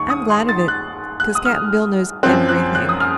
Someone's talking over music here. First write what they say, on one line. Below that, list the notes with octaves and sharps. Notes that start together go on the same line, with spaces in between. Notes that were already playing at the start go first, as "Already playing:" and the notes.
I'm glad of it, 'cause Cap'n Bill knows ev'rything.
Already playing: D#2 D#3 C#6
D#6
C6
A6
F#6
F#6
D#6
F6
F#2 F3 C4 F#6
F#6
F#6
D#6
F6